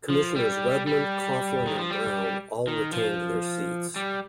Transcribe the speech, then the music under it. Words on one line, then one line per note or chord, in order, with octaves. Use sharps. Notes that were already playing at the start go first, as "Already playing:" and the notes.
Commissioners Redmond, Coughlin, and Brown all retained their seats.
F3
G3
G3
D#3
F3
G3
D#3
F3
G3